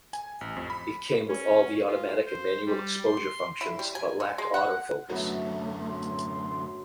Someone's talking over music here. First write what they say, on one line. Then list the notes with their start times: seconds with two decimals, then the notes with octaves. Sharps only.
It came with all the automatic and manual exposure functions but lacked autofocus.
0.13 G#5
0.41 A1
0.57 F2
0.70 B5
1.28 C#4
1.87 F4
2.26 C5
2.66 G3
3.06 C6
3.61 E4
3.79 G3
3.95 G#5
4.20 D3
4.38 G#3
4.54 F#5
5.10 F#2 D3 F#3 A3 B3 E5
5.81 C6